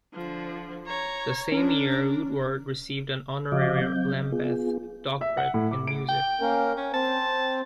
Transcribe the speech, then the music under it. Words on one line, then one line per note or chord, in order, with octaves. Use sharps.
The same year Woodward received an honorary Lambeth Doctorate in Music.
D3 F3
C#5 A#5
C#4 D4 A#4
C#3 F3 F#4 D#5 F5 D6
F#3 C4 G6
B3 F4 G#4
E5
F#5
A2
D6
D7
G5
A#3 C#4 A#4
C#4
C4 C5 A5